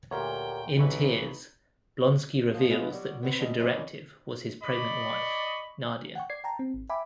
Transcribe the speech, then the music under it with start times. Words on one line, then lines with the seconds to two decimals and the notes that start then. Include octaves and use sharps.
In tears, Blonsky reveals that Mission Directive was his pregnant wife, Nadia.
0.11 D2 A#2 G4 A#4 C#5 G5
0.78 B1 C3 E3 D#4 B4 C#6
2.54 F3 G#3
2.70 G#3 B3 E4 F4 B4
2.91 F#3 G3
3.23 B3 C4
3.39 D2 B2 D#5
3.60 F#2 C3 E3 G3 C#4 D#4
4.63 D5 D#5 B5 C#6
6.15 F#5 G5 C#6
6.30 D5 G#6 C7
6.44 G5 A5 A#5
6.59 C4
6.74 G#1
6.90 E5 G5 G#5 B5 D6